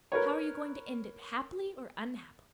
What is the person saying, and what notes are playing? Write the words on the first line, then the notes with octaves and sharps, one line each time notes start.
"How are you going to end it--happily or unhappily?"
A#4 B4 C#5